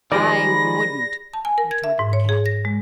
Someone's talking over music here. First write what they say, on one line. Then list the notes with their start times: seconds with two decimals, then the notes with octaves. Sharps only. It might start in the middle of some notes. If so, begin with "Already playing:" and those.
"I wouldn't!" retorted the cat.
0.12 D#3 F3 G#3 G4 G#4 D5 B5 A#6
1.33 A5
1.45 G#5
1.58 A#4
1.71 G#6
1.84 E5
1.99 G#2
2.13 C#5
2.29 G#4
2.46 A#6
2.65 G#3